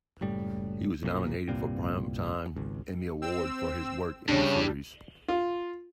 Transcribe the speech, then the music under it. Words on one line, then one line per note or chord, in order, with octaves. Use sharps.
He was nominated for Primetime Emmy Award for his work in the series.
F#1 A2 G3
B1 A#2
C2 G2 A#2 C4
G#1 C#2
C4 E6
G2 C#3 G3 D4
F4